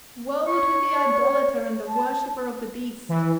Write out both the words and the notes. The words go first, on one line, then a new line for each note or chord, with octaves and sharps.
Woe to the idolater and the worshipper of the beast!
C#5 C#6
A5
E3